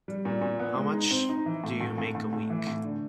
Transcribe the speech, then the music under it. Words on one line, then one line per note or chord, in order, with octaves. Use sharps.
How much do you make a week?
G3
A#2
A#2
B3
G#3
D#4
C4
D#4
E3
A2
A2
A2
A2
A2
E3
A2
D3